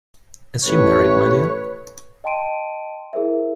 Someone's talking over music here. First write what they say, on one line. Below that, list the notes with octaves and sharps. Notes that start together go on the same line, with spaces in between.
Is she married, my dear?
A1 A2 G4 A4 B4 C#5
D#5 G5 A5 C6 D7 D#7
E4 G#4 A#4 C5 E5